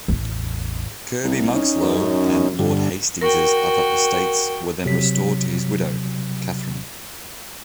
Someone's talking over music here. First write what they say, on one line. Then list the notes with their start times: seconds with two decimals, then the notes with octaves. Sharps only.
Kirby Muxloe and Lord Hastings' other estates were then restored to his widow, Katherine.
0.08 A1 E2
1.24 C2
1.55 C#4 D#4
1.82 F#2
2.59 G2 D3
3.21 F#4 A#4 G5
4.86 C3 F#3 B6